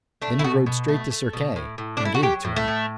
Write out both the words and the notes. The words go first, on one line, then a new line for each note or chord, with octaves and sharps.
Then he rode straight to Sir Kay, and gave it to him.
A3 D4
E4
B2 F#4
B2
A3
A3
B2
A2
A2
A3 D4
E4
F#4
F#3 G4
A2
A3
A2